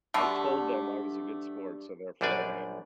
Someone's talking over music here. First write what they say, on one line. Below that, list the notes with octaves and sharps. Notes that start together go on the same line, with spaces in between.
I told them I was a good sport, so therefore I am,
G2 B2 D3 A3 D6
A#1 F#2 G3 D4 D5 G#5